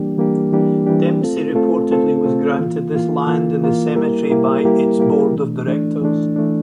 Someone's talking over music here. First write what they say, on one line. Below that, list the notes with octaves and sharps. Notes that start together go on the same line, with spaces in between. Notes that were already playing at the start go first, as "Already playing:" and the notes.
Dempsey reportedly was granted this land in the cemetery by its Board of Directors.
Already playing: E3 G3 A#3 D4 G4
E3 G3 A#3 D4 G4
E3 G3 A#3 D4 G4
E3 G3 A#3 D4 G4
A3 C4 F4 A4
A3 C4 F4 A4
A3 C4 F4 A4
A3 C4 F4 A4
E3 A#3 F4
E3 A#3 F4
E3 A#3 F4
E3 A#3 F4
G3 A#3 E4 G4 A#4
G3 A#3 E4 G4 A#4
G3 A#3 E4 G4 A#4
G3 A#3 E4 G4 A#4
E3 A3 D4
E3 A3 D4
E3 A3 D4
E3 A3 D4